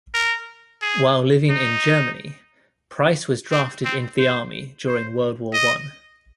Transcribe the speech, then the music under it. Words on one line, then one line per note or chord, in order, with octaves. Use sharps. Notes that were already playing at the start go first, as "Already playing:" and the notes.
While living in Germany, Price was drafted into the army during World War One.
A#4
G#4
D#4
C4
C4
C5
C5
D#5